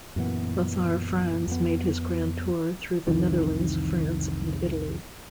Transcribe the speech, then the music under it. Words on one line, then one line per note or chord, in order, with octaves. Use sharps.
Lothar Franz made his Grand Tour through the Netherlands, France and Italy.
F#2 A#2 E3 B3
F2 B3
C2 F2 D#3 E3